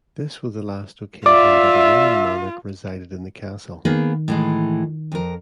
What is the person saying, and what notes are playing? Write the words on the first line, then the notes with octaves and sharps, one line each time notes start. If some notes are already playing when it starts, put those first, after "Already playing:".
This was the last occasion that a reigning monarch resided in the castle.
F4 D5 E5 D6
D#3 A#3 B3 G#4
A2 E3 G#3
F2 A#4